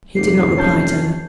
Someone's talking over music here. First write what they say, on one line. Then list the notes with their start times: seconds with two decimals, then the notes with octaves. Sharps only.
He did not reply to her.
0.16 F1 G#2 G4 C7
0.57 G3 A#3 C#4 C#5 A5 G6